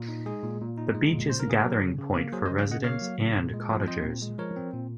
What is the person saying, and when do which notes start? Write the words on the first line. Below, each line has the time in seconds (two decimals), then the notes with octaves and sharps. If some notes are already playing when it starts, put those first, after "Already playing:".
The beach is a gathering point for residents and cottagers.
Already playing: A#2
0.09 D#4
0.26 G#3 G#4
0.43 A#2
0.61 A#2
0.78 D#4
0.95 G#3
1.12 A#2
1.30 C#3 C5
1.40 A#4
1.47 A#3 G#4
1.60 F#3 A#4
1.81 C#3
1.98 C#3
2.15 A#3
2.33 F#3 G#4 C5
2.46 C5 D#5
2.50 C#3
2.58 C#5 F5
2.67 C#3 D#5 F#5
2.84 A#3 C#5 F5
3.01 F#3
3.18 C#3
3.36 A#2
3.54 G#3
3.70 F3
3.88 C4 C5 D#5
4.05 A#2
4.22 G#3
4.38 F3 A#4 C#5
4.56 C4
4.74 A#2